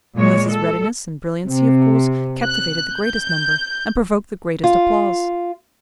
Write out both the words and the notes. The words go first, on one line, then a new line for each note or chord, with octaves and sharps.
Mliss's readiness and brilliancy, of course, captivated the greatest number and provoked the greatest applause.
A#2 G#3 C#5
A4
C3
F#6
G6
F4